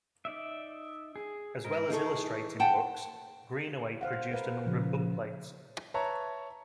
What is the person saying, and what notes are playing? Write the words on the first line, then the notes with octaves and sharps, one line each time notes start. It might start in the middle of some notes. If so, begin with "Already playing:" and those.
As well as illustrating books Greenaway produced a number of bookplates.
D#4 D5 E5
G#4
G#2 A#4
E3 D#4 G#4 A4 C#6
F#5 G5 A5
C5 F5 F#5
A#4 B4 F5
A#2 C#3 F3
F3
B4 C#5 E5 A5 A#5 C#6